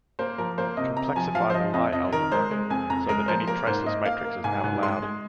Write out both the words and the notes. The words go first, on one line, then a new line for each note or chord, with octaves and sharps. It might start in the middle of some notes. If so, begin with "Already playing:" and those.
Complexify the Lie algebra, so that any traceless matrix is now allowed.
A#3 C5
F3 A#4
A#3 C5
C3 D#5
C3 A#5
F3 G#5
F3 F5
C5
F3 D#5
F2 D#5
F2 D#5
D#3 A#4
G#3 C5
G#3
F2 G#5
F2 A#5
G#3 A#4
F3 C5
A#3 A#4
G#2 C5
A#3 D#5
A#3 F5
A#3
G#2 G#5
G#2
G#3 C6
G#3